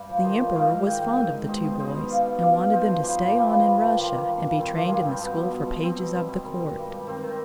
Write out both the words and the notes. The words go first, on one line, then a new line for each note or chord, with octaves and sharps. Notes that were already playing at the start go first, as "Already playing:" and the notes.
The emperor was fond of the two boys and wanted them to stay on in Russia and be trained in the school for pages of the Court.
Already playing: G2
F3
D#3 C5 D#5
D#3
G#2 D5 F5
G#2
D#3 D#5 G5
D#3
G#2 D#5 G5
G#2
B2 C5 D#5
B2
B2 C5 D#5
B2
B2 D5 F5
B2
B2 D5 F5
B2
F3 C5 D#5
F3
G2 G#4 C5
G2
F3 G4 B4
F3
G2
G2
D#3 D4 F4
D#3
G2
G2
D#3 C4
D#3 D4 F4
G2 F4 G#4
G2 C4 D#4
B2 B3 D4
B2
B2
B2
B2 C4
B2
B2 C4
B2
D#3
D#3
G2
G2
D#3 C4
D#3